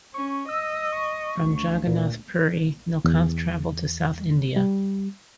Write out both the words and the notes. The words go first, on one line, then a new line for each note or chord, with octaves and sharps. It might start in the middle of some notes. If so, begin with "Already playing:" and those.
From Jagannath Puri, Nilkanth traveled to South India.
C#4 C#6
D#5 E6
C#6
D2
A#2
E2
G3